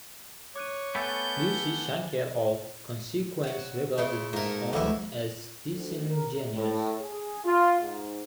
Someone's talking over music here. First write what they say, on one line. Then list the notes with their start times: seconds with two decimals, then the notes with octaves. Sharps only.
Lucy Shanker of "Consequence" regarded the song as "disingenuous".
0.56 C#5 D6 F#6 D#7
0.95 A3 B3 G#5 B5 G6 A6 C#7
3.44 F#3 G3
3.98 C#3 A3 E4 F4
4.33 G#2 A3 A#3 A#4
4.73 D2 E3 G#3 C#4 E5
5.72 D2
6.09 A#4
6.54 A2
7.01 G#4
7.44 F4
7.80 G#2